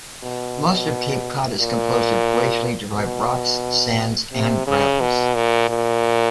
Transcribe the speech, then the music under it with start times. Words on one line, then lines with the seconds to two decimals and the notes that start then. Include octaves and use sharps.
Most of Cape Cod is composed of glacially derived rocks, sands, and gravels.
0.24 B2
1.60 A#2
2.96 B2
4.33 C3
4.67 C#3
5.01 B2
5.35 A#2
5.69 A#2